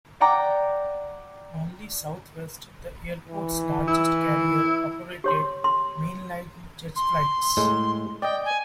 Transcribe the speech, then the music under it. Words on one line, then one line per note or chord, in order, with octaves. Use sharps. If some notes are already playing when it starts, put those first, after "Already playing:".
Only Southwest, the airport's largest carrier, operated mainline jet flights.
D5 F#5 G5 A#5 D6
E3
E4
G4 C#5 C6
C6
C6
A2 G#3
D5 D#5 G5
G#5